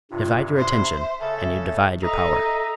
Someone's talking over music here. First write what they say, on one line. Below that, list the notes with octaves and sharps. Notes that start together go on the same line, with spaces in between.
Divide your attention and you divide your power.
G2 C3 F4
C5 E5
C#3 A4
D#4 A4 D#5 E5 A#5